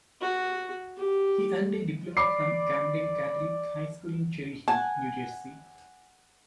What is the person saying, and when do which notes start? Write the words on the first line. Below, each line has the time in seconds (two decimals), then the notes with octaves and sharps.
He earned a diploma from Camden Catholic High School in Cherry Hill, New Jersey.
0.21 F#4
0.97 G4
2.17 D5 B5 D6 C7
4.68 F#5 G#5 A5